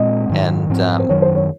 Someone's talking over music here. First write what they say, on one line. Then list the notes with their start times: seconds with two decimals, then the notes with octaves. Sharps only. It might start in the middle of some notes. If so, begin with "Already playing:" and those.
And, um,
Already playing: A#2 G#3 C4 D#5
0.30 G#2 D#3 F#3
0.70 G#2 F3 C4
0.99 C5
1.09 F#2 D#3 F#3 C#5
1.22 C5
1.35 C#5